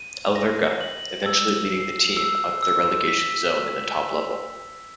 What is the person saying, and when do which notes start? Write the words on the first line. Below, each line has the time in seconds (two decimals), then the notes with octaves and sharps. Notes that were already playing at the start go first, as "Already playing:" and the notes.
Alverca, eventually leading the team out of the relegation zone in the top level.
Already playing: D#7
0.36 A#6
0.81 F#7
1.26 E6
1.72 C7
2.17 E6
2.63 E6
3.08 B6